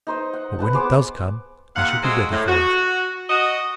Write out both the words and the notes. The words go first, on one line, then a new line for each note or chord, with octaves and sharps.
But when it does come I shall be ready for it.
D#4 C5 D#5
F#5
B4 F#5 A5
B3 G#4 C5 D6
D#2 C3 F5 F#5
F#3 G#3 F#4 G#4 A4 C5
A2
F#4
F#4 D#5